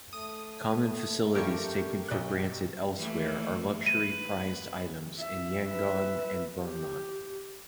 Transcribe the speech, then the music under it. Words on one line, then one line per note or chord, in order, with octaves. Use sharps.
Common facilities taken for granted elsewhere are luxury prized items in Yangon and Burma.
A3 D#6
G2 G3 G4 A#4 C#6
B1 F#6
E3 A3 A#3
B4 D#7
E5
B4 E5
G4